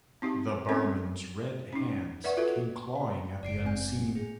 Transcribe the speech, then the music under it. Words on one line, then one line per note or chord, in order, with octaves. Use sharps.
The barman's red hands came clawing at the unseen.
C4 D#4 G4
C4 C#4 A4 A#4 G#5
C#4 D#4
B4 D5 E5 F#5 C#6
F4 F#4 A4 B4
F#1 D5 C7 D7
C4 G#5 G6
G#4